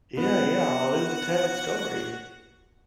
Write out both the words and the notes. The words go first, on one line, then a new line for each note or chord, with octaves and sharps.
Yeah, yeah. I lived to tell the story
B3 F#4 F#5